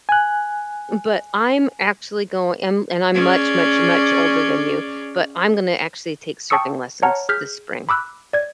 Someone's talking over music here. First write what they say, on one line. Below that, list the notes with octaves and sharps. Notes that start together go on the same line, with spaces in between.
but I'm actually going- and and I'm much, much, much older than you- but I'm gonna actually take surfing lessons this spring.
G#5 F#6
C#4 G#4 D5
G5 A5 C#6 D#6 E6 C#7
C#5 F#5 A5 A#5 F6
G#4 F6 G6 B6
B5 D6 E6 F#6
D5 G#6